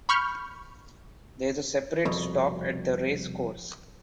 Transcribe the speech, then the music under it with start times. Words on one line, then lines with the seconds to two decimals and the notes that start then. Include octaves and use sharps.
There is a separate stop at the race course.
0.09 B5 C#6 F6 G6
2.05 C2 F2 B2